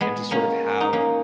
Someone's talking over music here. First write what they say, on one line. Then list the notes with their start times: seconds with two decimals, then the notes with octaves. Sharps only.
and to sort of have
0.01 G#3 B3
0.31 A#3 C#4
0.81 D#4
0.93 A#3 C#4